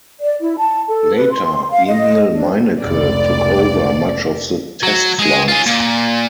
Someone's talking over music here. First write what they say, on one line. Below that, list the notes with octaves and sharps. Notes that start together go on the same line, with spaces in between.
Later, Emil Meinecke took over much of the test flights.
D5
E4
A5
A4
B4
C6
F5
D#5
D4
F1 C#2 D5
F#3
G#3 G#4
F4 G#4
A#2